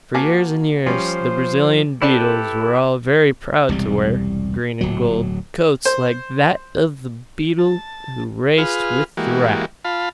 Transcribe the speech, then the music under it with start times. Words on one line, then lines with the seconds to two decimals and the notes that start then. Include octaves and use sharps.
For years and years the Brazilian beetles were all very proud to wear green and gold coats like that of the beetle who raced with the rat.
0.14 A#3 F#4 G#5 A5 D6
0.86 F3 G3 C#4 C5
2.02 C4 E4 G4 A4 B4 D5 A5
3.69 E1 C2 G3
4.81 D1 F#3
5.85 C5
7.58 A5
8.58 F4 G#4 B4 F6
9.17 E3 G#3 A#3 F#4 G4
9.85 F4 F5 A5 B5